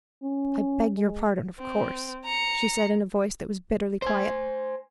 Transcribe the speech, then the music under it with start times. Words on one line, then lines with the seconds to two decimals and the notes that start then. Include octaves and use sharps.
"I beg your pardon, of course," she said in a voice that was bitterly quiet.
0.23 C#4
0.96 G#3
1.60 C4
2.25 A#5 C#7
4.02 C5 G#5